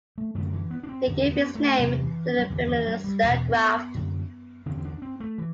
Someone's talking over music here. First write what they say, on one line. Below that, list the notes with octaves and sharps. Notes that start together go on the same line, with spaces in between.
He gave his name to the Phemister graft.
A3
F#2 D3 A3
E3
B3
D4
C4
E2 D3
C4
B3
A3
E2 C3 F#3
E3
F#3
E2 D3 E3
E3
F#3
G3
E2 B2 B3
F#2 D3
E2 D3 C4
C4
D4
C4
A3
E3